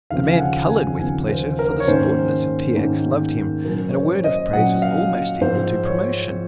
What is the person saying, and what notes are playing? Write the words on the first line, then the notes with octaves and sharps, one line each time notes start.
The man coloured with pleasure for the subordinates of T. X. loved him, and a word of praise was almost equal to promotion.
D#2 C#3 F3 C4 F5
G#5
F#5
G#5
D#2 C#3 F3 C4 G#5
C5
A#4
C#5
G#2 D#3 A#3 C#4 C5
G#2 D#3 A#3 C#4
A#2 F#3 C#4 A#4
C#5
C5
D#5
A#2 F#3 C#4 F#5
F5
G#2 F3 C4 C5
C#5
F3 C4